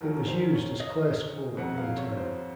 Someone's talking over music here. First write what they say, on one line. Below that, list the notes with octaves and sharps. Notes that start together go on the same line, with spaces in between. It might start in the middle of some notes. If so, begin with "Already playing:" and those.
It was used as Clare School at one time.
D#2 D#3 F#3 A#4
C5
C#5
D#5
F2 C#3 F#3 F#5
F5
C#5
C5